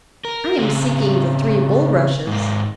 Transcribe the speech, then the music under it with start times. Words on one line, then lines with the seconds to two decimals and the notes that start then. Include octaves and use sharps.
'I am seeking the three bulrushes.
0.25 A#4
0.59 C#3 C4
2.27 G#2 A#3